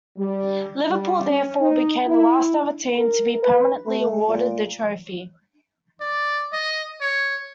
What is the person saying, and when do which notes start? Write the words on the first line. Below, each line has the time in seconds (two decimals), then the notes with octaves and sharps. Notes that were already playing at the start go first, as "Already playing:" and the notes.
Liverpool therefore became the last ever team to be permanently awarded the trophy.
0.18 G3
0.90 G3
1.30 C#4
1.61 D#4
2.07 E4
2.98 A#4
3.43 B4
3.86 A3
4.28 A#2
6.01 D5
6.53 D#5
7.01 C#5